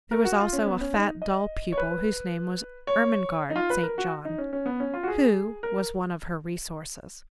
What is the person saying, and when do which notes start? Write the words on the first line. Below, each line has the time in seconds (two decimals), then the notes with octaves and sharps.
There was also a fat, dull pupil, whose name was Ermengarde St. John, who was one of her resources.
0.11 A#4
0.25 F#4
0.40 F4
0.53 C#4
0.67 B3
0.81 C#4
0.94 D#4
1.22 D#5
1.72 C#5
1.78 B4
2.87 C#5
3.50 D#4
3.56 F4
3.70 B4
3.83 A#4
3.98 F#4
4.25 D#4
4.38 C#4
4.53 C#4
4.66 B3
4.80 C#4
4.94 F4
5.03 F#4
5.08 G#4
5.63 A#4